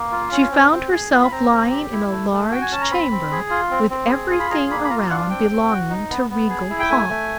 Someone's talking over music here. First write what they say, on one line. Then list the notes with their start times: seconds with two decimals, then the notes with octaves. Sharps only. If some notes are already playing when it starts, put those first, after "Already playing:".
She found herself lying in a large chamber, with everything around belonging to regal pomp.
Already playing: A#3
0.12 F4
0.32 C#4
0.51 C4
0.71 C4
0.91 G#4
1.11 F4
1.22 B5
1.31 C4 A#5
1.51 C4
1.71 G4
1.92 E4
2.11 A3
2.31 A3
2.51 F#4 G5
2.62 G#5
2.71 C#4 A5
2.81 A#5
2.90 C4 B5
3.11 C4
3.31 G#4
3.50 F4
3.71 C4
3.90 C4
4.10 G#4
4.30 F4
4.40 B5
4.50 G#4 A#5
4.70 A#3 B5
4.84 B5
4.90 F4 A#5
5.10 D4 F#5
5.30 C4 G5
5.50 C4
5.70 F#4
5.90 D#4
6.10 B3
6.30 B3
6.50 G#4
6.70 E4
6.80 G5
6.90 A3 G#5
7.09 A3